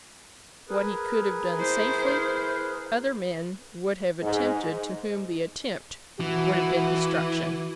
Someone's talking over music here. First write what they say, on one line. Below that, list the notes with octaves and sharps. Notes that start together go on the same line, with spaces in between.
What he could have done safely, other men would have attempted to whom the attempt would have been destruction.
G#4 A#4 B4
E4 C5
G#2
E3 F#4